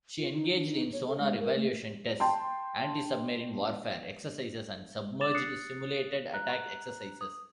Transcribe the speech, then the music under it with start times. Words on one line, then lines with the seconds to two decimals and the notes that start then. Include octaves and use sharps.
She engaged in sonar evaluation tests, antisubmarine warfare exercises, and submerged simulated attack exercises.
0.18 F4
0.32 D#4
0.55 D4
0.68 D#4
0.93 C#5
1.07 A4
1.19 G#3
1.40 A#4
1.55 A3
2.20 G5 A5 C6
5.21 D6 A6 E7 F7
5.34 D#6 F#6 A6 C7 C#7
6.33 A#5 F#6
7.21 D#6